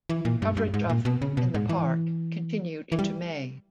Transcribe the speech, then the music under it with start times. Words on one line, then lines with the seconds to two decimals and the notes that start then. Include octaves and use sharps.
Coverage of "In the Park" continued into May.
0.09 E3
0.25 A#2
0.42 G2
0.57 G2
0.74 G#2
0.89 A#2
1.05 B2
1.22 C#3
1.37 B2
1.54 G#2
1.69 E3
2.92 E3
2.99 G3